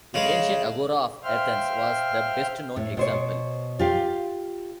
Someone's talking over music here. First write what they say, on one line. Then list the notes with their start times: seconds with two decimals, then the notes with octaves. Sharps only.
The Ancient Agora of Athens was the best-known example.
0.14 C#3 G#3
1.24 C5 E5 F5 G5 C6 F6
2.76 A2
2.97 B2 C5 C#5
3.79 F4 G4 F5